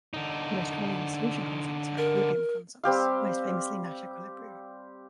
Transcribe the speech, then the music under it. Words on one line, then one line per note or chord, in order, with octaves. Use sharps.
The most commonly used solution concepts are equilibrium concepts, most famously Nash equilibrium.
D3 D#4
A#4
G3 C4 G4 F5